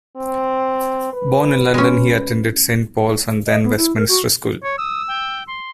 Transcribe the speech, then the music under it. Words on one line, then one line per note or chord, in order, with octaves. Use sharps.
Born in London he attended Saint Paul's and then Westminster School.
C4
B4
G#3 C#4
D#5
B3
E4
A#4
F#4
C#5
D#6 E6
G5
C6